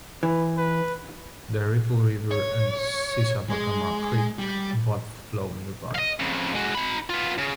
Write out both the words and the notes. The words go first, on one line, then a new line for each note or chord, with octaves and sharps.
The Ripple River and Sissabagamah Creek both flow nearby.
E3 B4
B4
C#5
G#3
G3
D#5 F5
F2 C#3
G#3 F#4
D#4 B5
B3 F4
C#3